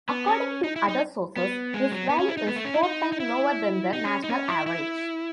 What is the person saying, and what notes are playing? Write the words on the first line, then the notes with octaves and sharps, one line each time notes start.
According to other sources, this value is four times lower than the national average.
B3
C#4
D#4
E4
D#4
B3
G#3
F#3
B3
C#4
E4
D#4
B3
A3
C#4
E4
D#4
D#4
E4
D#4
C#4
D#4
C#4
E4
E4